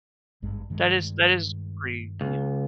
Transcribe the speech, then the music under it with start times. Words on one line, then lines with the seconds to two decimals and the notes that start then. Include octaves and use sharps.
That is that is pretty, you know
0.42 G#1 G2 G#3
0.70 G2 D#3 G#3
2.21 C#2